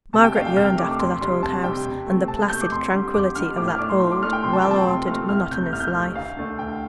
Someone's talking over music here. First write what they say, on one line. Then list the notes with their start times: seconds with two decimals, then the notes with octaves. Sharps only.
Margaret yearned after that old house, and the placid tranquillity of that old well-ordered, monotonous life.
0.13 C3 A5
0.24 G5
0.35 A3 D4 F5
0.47 G5
0.56 C3 F6
0.78 A3 D4 D6
0.91 D6
0.99 F2 C6
1.21 C3 G3 D4 C6
1.43 F2 A5
1.64 C3 G3 D4 G5
1.86 C3
2.07 A3 C4
2.28 C3 A5
2.39 A5
2.50 A3 C4 G6
2.61 D6
2.71 F2 C6
2.92 D3 G3
3.14 F2 D6
3.35 D3 G3 F6
3.57 A2 D6
3.68 F6
3.78 A3 D4 D6
3.90 C6
4.00 A2 C6
4.11 D6
4.22 A3 D4 F6
4.33 G5
4.43 C3 C6
4.53 A5
4.61 F3 A3 C4 G5
4.71 A5
4.86 C3 C6
5.07 F3 A3 C4 F6
5.29 C2 F6
5.51 C3 A3 G6
5.72 C2 F6
5.80 G6
5.88 F6
5.94 C3 A3
6.15 D2 F5
6.37 D3 A3 D4
6.58 D2 G5